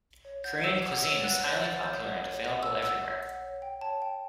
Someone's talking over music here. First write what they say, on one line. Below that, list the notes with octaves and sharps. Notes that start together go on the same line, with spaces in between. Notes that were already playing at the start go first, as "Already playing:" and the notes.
Korean cuisine is highly popular and available everywhere.
C#5
F#5 G6
C#5 E6
F#5
C#5 E6
F#5 F#6
C#5 G6
F#5 A6
C#5 G6
F#5
C#5
F#5
C#5 E6
F#5 E6
C#5
F#5
C#5
G5
C#5 A5
G5